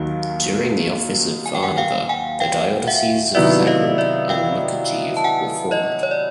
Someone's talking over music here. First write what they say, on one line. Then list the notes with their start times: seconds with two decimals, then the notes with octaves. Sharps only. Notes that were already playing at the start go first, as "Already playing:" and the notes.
During the office of Varnava, the dioceses of Zagreb and Mukacheve were formed.
Already playing: D#2 D#3 F#3 F5
1.46 G#5
1.55 G5
1.62 F#5 G#5
1.78 F5 G5
2.09 F#5 G#5
2.40 F5 G5
2.87 E5 F#5
3.35 C3 D#3 F#3 B3 E4 D5 E5
3.67 D#5 F5
3.98 D5 E5
4.29 F5 G5
5.17 A5
5.24 F#5 G#5
5.71 C#5 D#5
6.03 C#5
6.11 D5